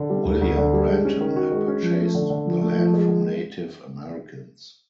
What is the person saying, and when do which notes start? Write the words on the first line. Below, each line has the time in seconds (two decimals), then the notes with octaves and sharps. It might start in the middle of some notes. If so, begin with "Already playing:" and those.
William Brenton had purchased the land from Native Americans.
Already playing: D3
0.10 G3
0.25 D2
0.41 D2
0.57 D3
0.73 G3
0.88 G#3
1.05 C#4
1.21 D#3
1.36 F#4
1.52 G#3
1.68 C#4
1.83 F3
2.00 A3
2.15 D3
2.30 D3
2.47 F3
2.62 A3
2.78 F3
2.94 G#3